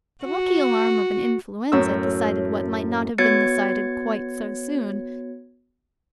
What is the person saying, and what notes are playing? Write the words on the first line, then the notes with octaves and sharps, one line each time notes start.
The lucky alarm of an influenza decided what might not have been decided quite so soon.
F#4
F#2 A2 E6
B3 F#4 C#5 G#6 A6 C#7